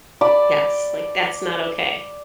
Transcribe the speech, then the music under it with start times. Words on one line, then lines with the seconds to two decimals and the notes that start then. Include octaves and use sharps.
Yes, like, that's not okay.
0.21 D5 A5 B5